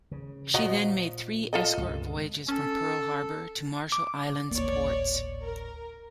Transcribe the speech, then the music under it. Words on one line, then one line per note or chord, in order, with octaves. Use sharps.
She then made three escort voyages from Pearl Harbor to Marshall Islands ports.
C#3
A#2 F3 F#4 D#5
F4 A4 D#5
C#2 G2 B2
C#4 A4
D6
D1 G#1 A#3 C#5 D5
A#4